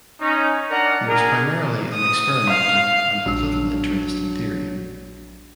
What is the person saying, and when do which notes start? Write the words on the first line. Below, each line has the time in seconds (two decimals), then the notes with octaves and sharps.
He was primarily an experimenter and had little interest in theory.
0.19 C#4 D#4
0.70 D4 D#4 A#4 D5 F#5
1.06 D4 G#4 A#4
1.94 D#6
2.50 F5
3.26 A#1 F#3 D4 E6